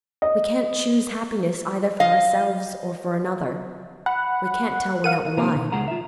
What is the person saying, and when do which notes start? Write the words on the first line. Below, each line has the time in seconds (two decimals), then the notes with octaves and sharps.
We can't choose happiness either for ourselves or for another; we can't tell where that will lie.
0.22 D#5
2.00 D#5 F5
4.06 F#5 B5
5.04 A#4 F5 F#5 F6 D#7
5.37 C3 D#3 A#3 D#4 G4 A#5
5.54 B2 D#3
5.72 C#2 G#3 G#4 F#5 A#5
5.88 F4 E5